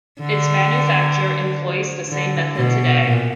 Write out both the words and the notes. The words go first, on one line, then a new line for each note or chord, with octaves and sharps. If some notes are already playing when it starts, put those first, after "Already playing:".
Its manufacture employs the same method today.
D3
D3
B2
A#2